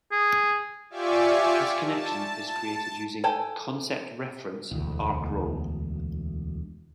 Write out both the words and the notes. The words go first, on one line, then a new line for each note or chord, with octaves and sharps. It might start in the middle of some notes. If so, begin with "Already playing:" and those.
This connection is created using "concept-reference" arcrole.
G#4
F4 G4 D5 E5 G#5 C#6
A5
A4 G5 G#5
E1 D2